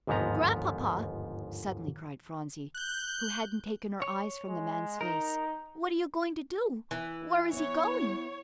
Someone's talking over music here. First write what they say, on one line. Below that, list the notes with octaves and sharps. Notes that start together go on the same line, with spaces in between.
"Grandpapa," suddenly cried Phronsie, who hadn't taken her eyes from the man's face, "what are you going to do--where is he going?"
G1 D#2 G#2 F3 B3 A#5
F#6 G6
C#5
G#3
D#4 A#4
E3
B3 E4 C#5